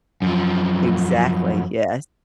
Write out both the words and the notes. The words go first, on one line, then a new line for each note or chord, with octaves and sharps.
Exactly, yes.
F#2 F3